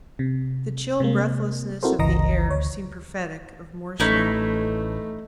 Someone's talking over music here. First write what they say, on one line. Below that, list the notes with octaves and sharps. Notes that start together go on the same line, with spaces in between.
The chill breathlessness of the air seemed prophetic of more snow.
C3
C3 G#3 A#3
C4 E4 F#4 A4 A#4 C5
G1 C#2 E3 D#5 A#5 A#6
D2 C#5
A1 A3 C#4 D#4 E4